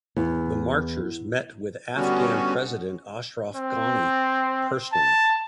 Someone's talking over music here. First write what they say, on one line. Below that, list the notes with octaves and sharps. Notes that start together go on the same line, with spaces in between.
The marchers met with Afghan President Ashraf Ghani personally.
E2
D3 G3 B3 C#4 F#4
C4
A5